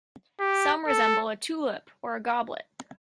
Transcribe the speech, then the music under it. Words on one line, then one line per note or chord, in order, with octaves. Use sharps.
Some resemble a tulip or a goblet.
G4
A4